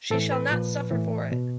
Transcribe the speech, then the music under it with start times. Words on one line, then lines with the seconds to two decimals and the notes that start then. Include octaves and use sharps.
She shall not suffer for it!
0.10 A2 E3 A4
0.31 B4
0.51 A#2 F3
0.91 A2 E3
1.32 B2